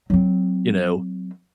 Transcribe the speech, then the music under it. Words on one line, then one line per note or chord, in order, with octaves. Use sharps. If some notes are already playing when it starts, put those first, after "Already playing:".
you know,
F#3 C4